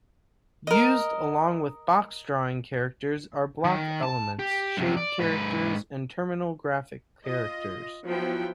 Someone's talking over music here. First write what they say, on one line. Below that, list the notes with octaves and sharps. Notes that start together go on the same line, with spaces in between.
Used along with box-drawing characters are block elements, shade characters, and terminal graphic characters.
A#4 D#5
D#3
A5
G4
F#2 C3
D5
G#2 B4
F4 D#5
F3 F#3 B3 E4 G5